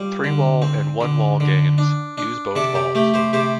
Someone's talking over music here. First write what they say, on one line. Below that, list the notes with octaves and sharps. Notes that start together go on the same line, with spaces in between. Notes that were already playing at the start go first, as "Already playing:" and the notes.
Three-wall and one-wall games use both balls.
Already playing: G3 F4
D3
C4
D3
D3
D4
D4
C3 A4 D5
G4
A3 G4
G4 C5
C3 G4 C5